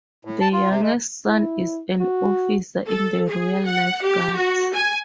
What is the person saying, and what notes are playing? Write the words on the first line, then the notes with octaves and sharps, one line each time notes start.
The youngest son is an officer in the Royal Life Guards.
A2
A5
F4
C3
G#3
E4
F#4
A4
G#4
F#5
G4
F#4
G#5